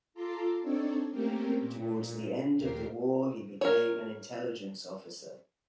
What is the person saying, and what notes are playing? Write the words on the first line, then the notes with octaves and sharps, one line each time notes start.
Towards the end of the war he became an intelligence officer.
F4 A4 A5 A#5 C6 D6
C4 D4 D#4 A4 C#5 D5
A3 A#3 C4 C#4 G4 A#4
A#2
D#2 A#2 G4 A#4 C7
A#4 C#5